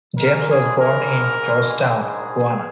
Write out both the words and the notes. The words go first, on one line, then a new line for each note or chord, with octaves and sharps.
James was born in Georgetown, Guyana.
A#1 G#2 G#3 A#4
G#4
A#4
A#1 G#2 G#3
G#4